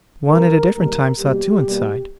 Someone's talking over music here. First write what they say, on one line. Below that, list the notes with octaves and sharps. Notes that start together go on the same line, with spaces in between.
One at a different time saw two inside.
E2 C#3 G3 A#4
G#2 D#3 G3 A#3 A#4
B2 G3 A#3 G4
B2 G3 A#3